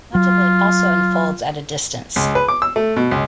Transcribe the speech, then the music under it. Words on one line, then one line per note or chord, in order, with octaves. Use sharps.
Much of it also unfolds at a distance.
F#3 F4
C#2
B4
D6
E6
A3
B2
C#2